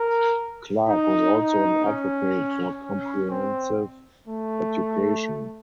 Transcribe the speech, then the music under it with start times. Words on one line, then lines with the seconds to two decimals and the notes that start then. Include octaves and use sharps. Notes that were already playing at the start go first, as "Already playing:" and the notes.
Clarke was also an advocate for comprehensive education.
Already playing: A#4
0.88 D#4
1.38 D#4
1.85 C#4
2.83 C#4
3.30 C4
4.28 A3